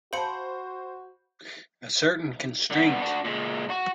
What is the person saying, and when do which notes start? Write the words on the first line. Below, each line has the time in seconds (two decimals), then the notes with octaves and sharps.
A certain constraint.
0.13 F#4 C5 F5 A5 B5 C#7
2.71 D3 B3
3.02 D4 F#4
3.25 A#2 G#3
3.70 F#4